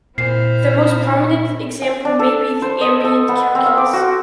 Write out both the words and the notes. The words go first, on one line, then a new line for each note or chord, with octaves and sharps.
The most prominent example may be the ambient calculus.
A#2 C4 E4 C5 F6 C7
G#5
D4
A4
C5
D#5
A4
B3
C4
F5
D6
F#4